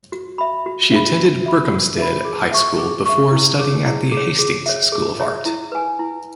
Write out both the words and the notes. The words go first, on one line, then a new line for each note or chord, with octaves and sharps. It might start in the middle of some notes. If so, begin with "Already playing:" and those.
She attended Berkhamsted High School before studying at the Hastings School of Art.
F#4
E5 B5
F#4
E5 B5
F#4
E5 B5
F#4
E5 B5
G#4
E5 C#6
G#4
E5 C#6
E4
G#4 C#5
E4
G#4
C#5
G#4
C#5 E5
G#4
C#5 E5
E4
B4 G#5
E4